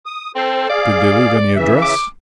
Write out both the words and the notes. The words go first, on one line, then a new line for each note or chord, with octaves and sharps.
"Did they leave any address?"
D#6
C4 A4 C5 C6
G#4 D5 F5
C#3 E3 E5
D6